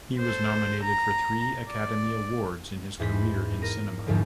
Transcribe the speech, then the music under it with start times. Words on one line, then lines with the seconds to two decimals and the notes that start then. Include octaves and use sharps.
He was nominated for three Academy Awards in his career in cinema.
0.19 A4 C5
0.83 A#5
1.68 D5
3.00 E2 G#2 B5 B6
3.62 A#4 A#6 D#7
4.06 A#1 E2 G#2 D3 F3 G3